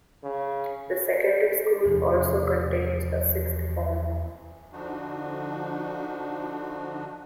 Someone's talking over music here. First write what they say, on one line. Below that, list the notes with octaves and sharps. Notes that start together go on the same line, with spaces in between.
The secondary school also contains a sixth form.
C#3
E2 C3 F3 D4
D3 F3 D4 D#4 F#4